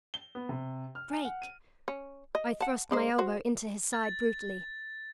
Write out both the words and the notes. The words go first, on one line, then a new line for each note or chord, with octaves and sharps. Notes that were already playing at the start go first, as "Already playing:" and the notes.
"Drake!" I thrust my elbow into his side brutally.
G7
B3
C3
F6
G#5
F#5
D#7
C#4
D#5
F#5 A5
D3 G#3 C5
F#4 C5
A6